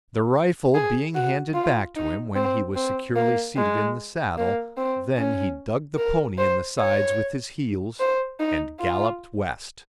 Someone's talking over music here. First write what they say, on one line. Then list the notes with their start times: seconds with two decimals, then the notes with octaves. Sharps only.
The rifle being handed back to him when he was securely seated in the saddle, then he dug the pony in the sides with his heels, and galloped west.
0.75 G#4
1.15 F#4
1.55 F4
1.96 D#4
2.36 C4
2.76 C4
3.16 A#3
3.57 G#3
4.38 A#3
4.78 C4
5.17 C#4
5.98 A#4
6.38 C5
6.79 C#5
8.00 C5
8.40 D#4
8.80 F4